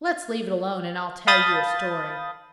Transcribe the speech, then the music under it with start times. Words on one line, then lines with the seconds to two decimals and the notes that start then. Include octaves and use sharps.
Let's leave it alone and I'll tell you a story.
1.27 F5 A5 B5 D#6 G6 A6